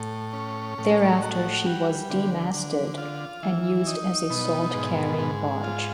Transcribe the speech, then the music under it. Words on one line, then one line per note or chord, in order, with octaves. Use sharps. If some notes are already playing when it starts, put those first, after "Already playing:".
Thereafter she was demasted and used as a salt-carrying barge.
Already playing: A2
C#4
A2
F#4
G3
D3
D3
F4
E3
D#4
B2
G#2
G#2
F4